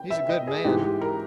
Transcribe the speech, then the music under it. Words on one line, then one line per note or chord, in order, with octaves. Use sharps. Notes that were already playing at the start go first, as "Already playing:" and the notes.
He's a good man.
Already playing: G5
E5
D#5
G#4
G#2 E3 G#3 G4
G4
A#4